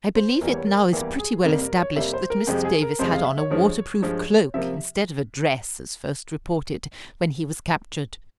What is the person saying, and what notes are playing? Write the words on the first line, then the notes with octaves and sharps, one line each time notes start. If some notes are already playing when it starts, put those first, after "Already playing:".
I believe it now is pretty well established that Mr. Davis had on a water-proof cloak instead of a dress, as first reported, when he was captured.
C5
E2 E3 G3 A#3 A#4
C#5
A#4
E2 E3 G3 A#3 G4
G#4
F2 C3 G3 A#3 A#4
A#4
C#5
F2 C3 G3 A#3 E5
C5
A#4
F2 C3 F3 G#3 G4
G#4
A#4
F2 C3 F3 G#3 C5
F5
E5
C#5
G2 F3 G#3
G2 F3 G#3
C3 F3 A#3 E5